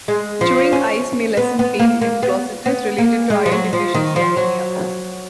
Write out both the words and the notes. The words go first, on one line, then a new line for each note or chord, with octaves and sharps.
Chewing ice may lessen pain in glossitis related to iron deficiency anemia.
G#3
F3
C#4
B3
B3
A#3
A#3
B3
B3
A#3
G#3
F3
F#3
F3
D#3
F3
F#3